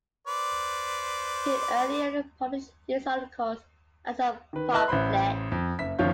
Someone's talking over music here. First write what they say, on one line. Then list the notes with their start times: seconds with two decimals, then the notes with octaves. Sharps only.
He earlier published these articles as a pamphlet.
0.27 B4 C5 D5
4.53 D#3 B4
4.72 E4 B4 D#5 A5 F#6
4.88 A1 E4 C5 B5 C6
5.52 F2
5.79 F#1 E5 B6
5.99 F#1 D#3 F3 C#5 F5 G6